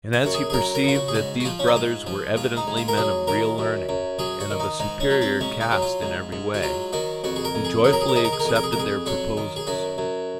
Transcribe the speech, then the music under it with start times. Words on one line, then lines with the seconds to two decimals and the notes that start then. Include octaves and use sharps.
And as he perceived that these brothers were evidently men of real learning, and of a superior cast in every way, he joyfully accepted their proposals.
0.13 F5
0.24 F#2 F#4
0.34 G#4
0.50 G#4
0.53 F#3 A#4
0.75 A#4
0.84 C#3 F4
0.95 F#4
1.08 G#4
1.15 G#2 F#4
1.40 F#4
1.45 F3 F4
1.59 C#4
1.67 D#4
1.76 G#2 F4
2.06 F3
2.36 G#2 F4
2.57 D#4
2.67 G#2
2.77 F4
2.88 A#4
2.97 F#3 G#4
3.27 D#3 A#4
3.58 F#2
3.89 F#2
4.19 F#3 G#4
4.40 F#4
4.50 D#3
4.60 D#4
4.80 G#2 D#4
5.00 C#4
5.10 F#3
5.21 C4
5.41 G#2 C#4
5.61 D#4
5.71 F#3
5.82 F4
6.02 G#2
6.32 G#2
6.54 F#4
6.63 F#3 F4
6.93 D#3 F#4
7.24 F2 F#4
7.36 G#4
7.45 A#4
7.55 F2
7.65 G#4
7.84 F#3 G#4
7.93 A#4
8.01 G#4
8.08 A#4
8.15 D#3 G#4
8.24 A#4
8.33 G#4
8.40 A#4
8.45 F2 G#4
8.56 A#4
8.63 G#4
8.72 A#4
8.76 F2 G#4
9.06 F#3 F#4
9.37 D#3
9.56 G#4
9.67 F#2 F#4
9.98 F#2